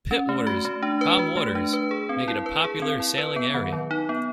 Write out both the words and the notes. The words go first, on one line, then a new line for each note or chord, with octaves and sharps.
Pittwater's calm waters make it a popular sailing area.
C#4
A3
F#4
A3
D4
B4
F#4
A3
D4
B4
G#4
C4
E4
B4
G#4
C4
E4
B4
B3
D#3
F#3
D#4
B3